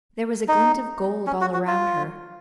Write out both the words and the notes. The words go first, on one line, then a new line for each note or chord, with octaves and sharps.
There was a glint of gold all around her.
D#4
C#4
F#4
F#4
F4